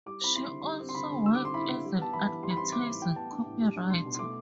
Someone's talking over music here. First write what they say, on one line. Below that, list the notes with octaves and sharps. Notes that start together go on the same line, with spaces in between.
She also worked as an advertising copywriter.
G3 D6
C4 B5
E4 C6
D3
G3
C4
C6
D3 B5
D3
G3 E6
C4 D6
C6
E4 B5
D3
G3
B3 A5
E3 B5
E3
G3 C6
B5
C4 C6
E4 D6
A2
G3 G5
B3 A5
D4
A2
G3
D4
B2 C6
B2
C6
A3 D6